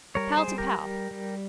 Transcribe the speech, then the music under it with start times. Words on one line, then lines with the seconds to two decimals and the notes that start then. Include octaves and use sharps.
Pal to pal.
0.15 G3 A#4 C#5
0.37 G#4 C5
0.48 G3
0.58 G4 A#4
0.79 G3
1.11 G3